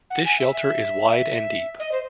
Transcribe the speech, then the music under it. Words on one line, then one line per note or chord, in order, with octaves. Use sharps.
This shelter is wide and deep.
F#5
G#5
E5
E5
D#5
C5